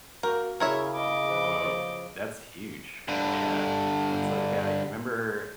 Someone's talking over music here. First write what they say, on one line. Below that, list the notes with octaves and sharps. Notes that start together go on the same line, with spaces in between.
Whoa. That's huge. Yeah. That's like, uh, you remember
A#3 F#4 A#4 G5
C#3 E4 A#4 C#5 E5
D#5 D6
F3 B4
C#3 F3
G2 D3